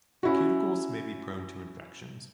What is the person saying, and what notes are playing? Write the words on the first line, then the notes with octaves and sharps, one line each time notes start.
The cuticles may be prone to infections.
C#4 E4 F#4